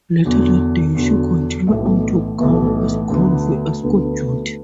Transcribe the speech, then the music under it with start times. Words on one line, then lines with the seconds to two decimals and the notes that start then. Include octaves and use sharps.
Later that day, she continued on to Guam as convoy escort duty.
0.24 E2 D3 F#3
0.95 E2 D3 F#3
1.67 B1 A2 E3 A3
2.39 B1 A2 E3 A3
3.10 D2 D3 B3
3.83 D2 D3 B3